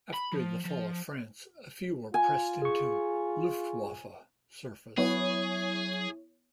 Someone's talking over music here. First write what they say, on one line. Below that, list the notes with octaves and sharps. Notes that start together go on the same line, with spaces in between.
After the fall of France, a few were pressed into "Luftwaffe" service.
B5
F3
F3
F4 G#5
G#4 C#6
F#3 B3 E4 G#4 C#5